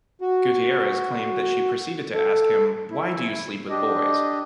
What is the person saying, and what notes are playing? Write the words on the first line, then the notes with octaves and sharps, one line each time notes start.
Gutierrez claimed that she proceeded to ask him Why do you sleep with boys?
F#4
A4
E4
D4 G4 D#5